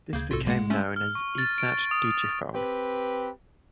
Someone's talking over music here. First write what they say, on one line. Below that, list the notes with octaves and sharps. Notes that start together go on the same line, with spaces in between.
This became known as Esat Digifone.
D2 C#3 A#3 G6 G#6
B1 G#2 C3 F4 F#4 A4
G#3 A#3 F#5
A3 C#4 E5 A5 E6
F6
C#6
A6
D7
D#6
C4 G4 B4